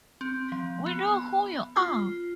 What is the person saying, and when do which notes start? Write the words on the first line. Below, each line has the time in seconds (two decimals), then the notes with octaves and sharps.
We know who you are.
0.21 C4
0.52 F3
0.86 B3
1.76 F4